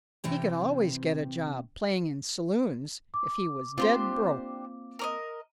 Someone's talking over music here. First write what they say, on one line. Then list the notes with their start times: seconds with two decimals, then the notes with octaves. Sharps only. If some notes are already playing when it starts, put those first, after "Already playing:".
He could always get a job playing in saloons if he was dead broke.
0.24 C3 E3 C4 G5
3.14 D6
3.78 A#3 C4 D4 F4 G4 C5
4.99 A#4 D5 D#5